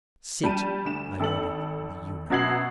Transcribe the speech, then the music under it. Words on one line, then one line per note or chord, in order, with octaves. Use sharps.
"Sit," I ordered the eunuch.
G3 A5 D#7
D2 E7
G#1 A4 F#7
F#2 B2 F#4 G#6 C7 F#7